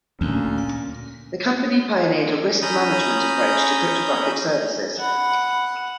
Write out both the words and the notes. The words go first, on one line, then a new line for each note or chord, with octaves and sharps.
The company pioneered a risk management approach to cryptographic services.
D2 A#2 C#4
C#4 A#5 B5 D#6 G6
F#5 B5